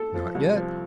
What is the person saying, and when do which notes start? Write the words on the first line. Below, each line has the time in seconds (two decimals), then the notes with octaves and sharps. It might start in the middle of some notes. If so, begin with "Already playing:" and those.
"Not yet."
Already playing: A4
0.14 F3
0.35 C2
0.55 F3